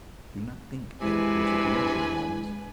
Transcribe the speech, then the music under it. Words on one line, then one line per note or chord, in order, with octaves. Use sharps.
Do not think that it was a delusion, Holmes.
C3 G#3 D4 E4 B4 G#5